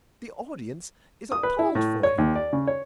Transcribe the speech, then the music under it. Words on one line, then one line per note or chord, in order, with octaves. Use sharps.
The audience is appalled for him.
D#6
B4
E4
A2
C#5
D#2
D5
C#3
C#5